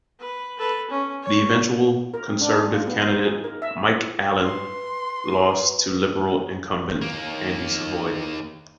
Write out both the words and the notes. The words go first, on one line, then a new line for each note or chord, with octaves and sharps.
The eventual Conservative candidate, Mike Allen, lost to Liberal incumbent Andy Savoy.
B4
A4 B4
C#4
C#5
A#4
C4
D4
G#4
F4
B3
C5
D#4
G#4
A#4
E5
B4 C6
D#2 A#3